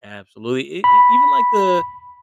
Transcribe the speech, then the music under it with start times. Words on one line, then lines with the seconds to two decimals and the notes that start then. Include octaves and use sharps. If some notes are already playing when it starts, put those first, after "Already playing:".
Absolutely, e e even like the
0.84 B5